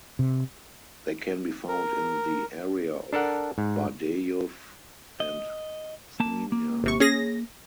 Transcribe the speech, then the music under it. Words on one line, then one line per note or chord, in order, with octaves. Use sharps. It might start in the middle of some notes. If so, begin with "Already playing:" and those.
They can be found in the area of Bardejov and Snina.
C3
A#4
D4 A4 A#4 F#5
G#2
D#5
A#3 A5
A#3
G#1 C3 C#6
C#4 G#4 A#6